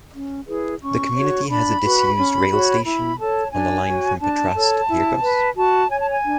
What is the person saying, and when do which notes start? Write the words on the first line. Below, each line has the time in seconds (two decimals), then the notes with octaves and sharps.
The community has a disused rail station on the line from Patras to Pyrgos.
0.13 C#4
0.47 E4 G#4 B4
0.81 C#4 C#6
1.15 F#4 C#5
1.48 D4 B5
1.83 F#4 B4
2.17 C#4
2.50 F#4 C#5
2.84 E4 B5
3.18 A4 C#5 A5
3.51 D4 G#5
3.86 F#4 C#5
4.19 D4 A5
4.54 A4 C#5
4.88 E4
5.21 B4
5.55 F#4 A5
5.89 C#5 G#5
6.00 A5
6.10 G#5
6.23 D4